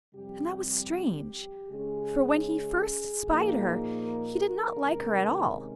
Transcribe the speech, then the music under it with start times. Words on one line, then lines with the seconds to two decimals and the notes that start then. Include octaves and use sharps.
And that was strange, for when he first spied her he did not like her at all.
0.14 F2 C3 G3 G4
1.69 C#3 G#3 C#4 G#4
3.26 A#2 F3 A#3 D#4
4.03 A#4
4.82 C3 D#3 G#3 C#4